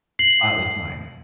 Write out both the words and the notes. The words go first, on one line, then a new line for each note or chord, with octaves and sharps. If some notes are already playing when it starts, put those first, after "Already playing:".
Spotless Mind.
C7 F#7